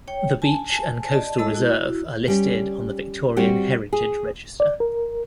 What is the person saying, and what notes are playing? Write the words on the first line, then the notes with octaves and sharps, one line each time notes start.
The beach and coastal reserve are listed on the Victorian Heritage Register.
C#5 G5
G#5 A5
D5 D#5 A5
G#3 A4 D#5 A5 E6
E4 F#4
G3 C#4
G3 C4 F#4
G#4
D5
A#4